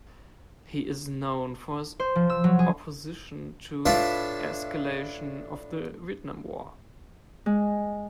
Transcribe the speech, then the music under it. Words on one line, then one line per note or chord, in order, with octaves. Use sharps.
He is known for his opposition to escalation of the Vietnam War.
C5
F3
E6
F#3
G#4
A2 D4 E4 F4 B4 E5
G#3